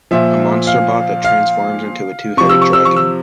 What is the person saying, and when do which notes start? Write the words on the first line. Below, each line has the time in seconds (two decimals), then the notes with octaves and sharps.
A Monsterbot that transforms into a Two-Headed Dragon.
0.11 A#2 F3 E5
0.67 F5
1.24 F5
2.37 C3 F3 C#6
2.49 E6
2.62 C#6
2.73 E6
2.85 C#6
2.96 E6